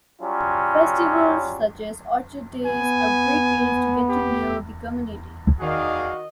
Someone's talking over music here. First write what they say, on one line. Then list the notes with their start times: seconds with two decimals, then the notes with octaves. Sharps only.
Festivals such as Orchard Days are great ways to get to know the community.
0.21 F#3 G3 C#4 F4
2.66 B3 G#5
4.09 G4
5.61 D#3 F#4 G#4 D5 D#5 F5